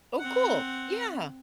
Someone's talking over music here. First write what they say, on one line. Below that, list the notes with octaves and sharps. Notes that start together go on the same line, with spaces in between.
Oh, cool, yeah.
C4 F#5